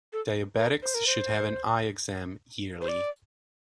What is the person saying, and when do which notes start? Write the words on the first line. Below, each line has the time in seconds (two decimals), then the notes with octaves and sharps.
Diabetics should have an eye exam yearly.
0.13 A4
0.59 A#4
0.82 C5
0.94 A#4
1.07 C5
2.82 C5
2.88 D5